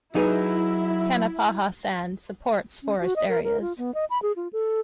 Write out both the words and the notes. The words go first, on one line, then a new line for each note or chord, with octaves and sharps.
Kanapaha sand supports forest areas.
F#3 D#4 E4 G#4 B4
C#4
F#4
D#5
A#4
A#4
F4
B3
D#5
B5
G#4
F4
A4